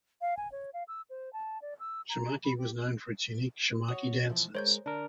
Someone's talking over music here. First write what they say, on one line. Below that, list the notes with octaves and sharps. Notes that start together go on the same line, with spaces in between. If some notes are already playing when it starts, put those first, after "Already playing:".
Shamakhi was known for its unique Shamakhi dancers.
F5
G#5
C#5
F5
E6
C5
A5
D5
E6
A#5
B5
G4
F#4 C#5 D#6
B2 E3 F3
G#3 A#4 C5 C#5 G6
D3 D4 A#4